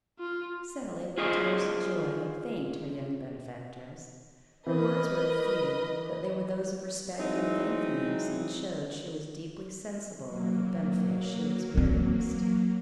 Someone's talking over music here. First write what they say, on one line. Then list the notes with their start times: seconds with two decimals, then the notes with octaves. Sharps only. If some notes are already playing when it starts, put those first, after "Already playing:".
Sally, with tears of joy, thanked her young benefactress; her words were few, but they were those of respect and thankfulness, and showed she was deeply sensible of the benefit she experienced.
0.20 F4
1.18 F4 G#4 C5 D#5
4.67 E3 A#4 B4 D#5
7.18 E3 F#3 G#3 C4 D#4
10.24 F#3 A#3
11.75 E3 C4